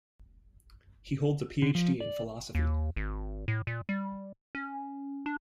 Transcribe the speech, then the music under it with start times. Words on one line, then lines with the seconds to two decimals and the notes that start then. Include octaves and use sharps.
He holds a PhD in philosophy.
1.62 D3
1.75 F3
2.00 D5
2.55 D#2
2.96 G#1
3.48 A2
3.67 A#2
3.89 G3
4.55 C#4
5.26 D4